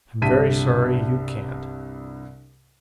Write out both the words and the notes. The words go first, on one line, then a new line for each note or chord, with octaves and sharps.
"I am very sorry you can't."
C2 G2 A5 B6 D#7